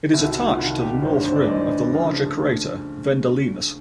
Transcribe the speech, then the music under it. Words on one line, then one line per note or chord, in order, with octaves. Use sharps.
It is attached to the north rim of the larger crater Vendelinus.
C2 C3 D#3 E4
F#4
F#4
F4
C2 C3 D#3 F#4
G4
G#1 G2 E3 C5
C#5
C5
D5
G#1 G2 E3 D#5
D2 C#3 F3